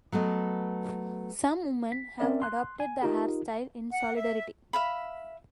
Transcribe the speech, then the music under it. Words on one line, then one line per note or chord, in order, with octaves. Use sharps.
Some women have adopted the hair style in solidarity.
F#3 A3 B3 D#5
B6
C4 C#4 A#4 D5 E5
C6 F#6
G#5
D#4 F4 G4 A#4
F#5
E5
E5 F5 B5